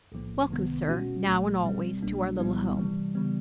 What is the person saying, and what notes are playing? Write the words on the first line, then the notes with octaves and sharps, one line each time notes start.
Welcome, sir, now and always, to our little home.
B1 A2 F3 A#3
C#2 C3 D#3 G#3 B3
B2 G#3 C#4 F#4
B1 A#2 F#3 A3
B2 G3 C4
C2 B2 G3 A#3 D4
C2 A#2 G3 B3 E4
C3 E3 G3
C#3 E3 G3 B3